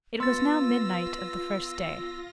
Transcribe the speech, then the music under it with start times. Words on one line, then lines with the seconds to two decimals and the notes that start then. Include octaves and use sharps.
It was now midnight of the first day.
0.20 B3 F4 C6 E6 A6 A#6